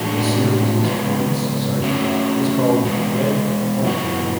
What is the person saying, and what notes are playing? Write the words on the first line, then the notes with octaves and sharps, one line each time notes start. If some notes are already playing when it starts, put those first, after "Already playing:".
The series' police sergeant is called "Red" Hoerring.
Already playing: A2 E3 G#3 D4 F#4
C#3 G#3 B3
A3 C#4 F#4 C#5 E5
B2 G#3 B3
F#2 E3 B3 F#4